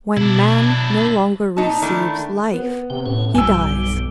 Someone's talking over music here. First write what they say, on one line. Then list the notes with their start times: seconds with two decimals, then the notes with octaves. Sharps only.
When man no longer receives life, he dies.
0.17 B2 D4 E4
1.57 A#2 D#4 A5
1.82 D#3 A3 D4 E4
2.53 B3
2.90 C3 G5
3.06 A2 C#4
3.35 B1 G2 G3 G#5 E6